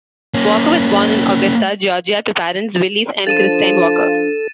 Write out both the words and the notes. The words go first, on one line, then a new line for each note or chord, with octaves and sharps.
Walker was born in Augusta, Georgia to parents Willis and Christine Walker.
A#3 C#4
F3 D4 A4 A6 D#7 E7